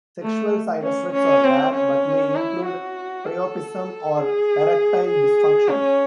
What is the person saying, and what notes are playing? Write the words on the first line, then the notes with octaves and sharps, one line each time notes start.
Sexual side effects are rare, but may include priapism or erectile dysfunction.
A3
C#4
C#4
C4
C#4
E4
F#4
A4
G#4
G#4
C#4